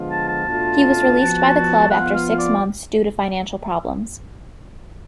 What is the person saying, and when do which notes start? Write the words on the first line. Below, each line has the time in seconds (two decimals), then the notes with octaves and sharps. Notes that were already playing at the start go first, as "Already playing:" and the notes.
He was released by the club after six months due to financial problems.
Already playing: D3 F3 G#3 B3 F4
0.11 A5
0.28 A5
0.46 B2 A3 D4 F4
1.18 F3 B3 F#4
1.90 F3 B3 F4 F#5
2.14 F5
2.38 D5